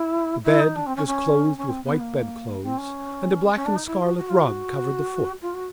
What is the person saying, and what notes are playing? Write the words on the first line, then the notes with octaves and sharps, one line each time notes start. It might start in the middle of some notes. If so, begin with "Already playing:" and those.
The bed was clothed with white bedclothes and a black and scarlet rug covered the foot.
Already playing: E4
E4
D#4
D4
C4
C#4
C#4
C#4
C4
B3
A#3
C4
C#4
C#4
D4
D#4
E4
F#4
F#4
F4
F#4
F4
F#4